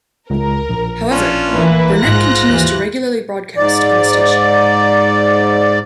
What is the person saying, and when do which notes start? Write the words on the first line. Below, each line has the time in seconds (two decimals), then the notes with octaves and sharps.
However, Burnett continues to regularly broadcast on the station.
0.30 C#2 A#4
0.70 A#1
1.11 C#4 D4 F4
1.49 E3 A3 A#3 E4 B4
2.01 G#2 F4 C5 F#6 A#6
2.49 D#2 E3
3.57 G#2 D5